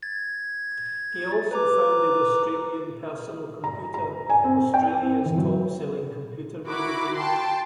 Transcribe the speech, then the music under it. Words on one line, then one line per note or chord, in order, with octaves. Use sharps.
He also founded "Australian Personal Computer", Australia's top-selling computer magazine.
G#6 A6
B4 A#5 D6
A#5
A#5
G#5
C4
G5
C4
E3
F#3
E4 F#4 A#4 B5 D6
G5 A5 C6